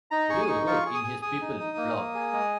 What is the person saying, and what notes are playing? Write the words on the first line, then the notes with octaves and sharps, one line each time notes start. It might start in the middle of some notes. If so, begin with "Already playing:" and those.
Bleu wrote in his "People" blog.
D#4 A#5
G#4 C#6
D#6
D#4 C#6
F4 C#6
G#4
D#6
G#4
G#4 D#6
D#4
D#4
A#3
A#3
G#4
G#3